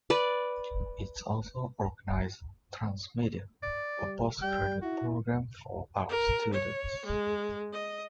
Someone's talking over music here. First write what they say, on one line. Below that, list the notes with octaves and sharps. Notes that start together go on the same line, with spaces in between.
It also organizes Transmedia, a postgraduate programme for art students.
B4 D5
D5
G3
G3 G5
E4 F#4
A#4
C#5
G#3
D#5